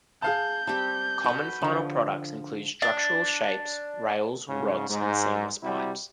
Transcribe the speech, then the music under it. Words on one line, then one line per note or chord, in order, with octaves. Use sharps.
Common final products include structural shapes, rails, rods, and seamless pipes.
G#4 F5 A5 G6
G3 C4 G4 A5
F#4 B4
D3 F3
D4
G#2 C#3
G#2
C3 G3 E4 F#4